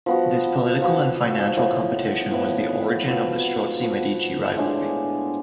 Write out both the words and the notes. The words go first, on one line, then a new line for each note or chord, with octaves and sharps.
This political and financial competition was the origin of the Strozzi-Medici rivalry.
F3 B3 F#4
F3 B3 F#4
A2 F3 B3
A2 F3 B3
F3 B3 F#4
F3 B3 F#4
A2 G#3 D4